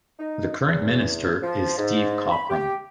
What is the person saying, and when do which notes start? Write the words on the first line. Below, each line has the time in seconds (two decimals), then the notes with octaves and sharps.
The current minister is Steve Cochrum.
0.19 D#4
0.65 E2
1.42 F3
1.77 G#2
2.31 B5
2.49 G4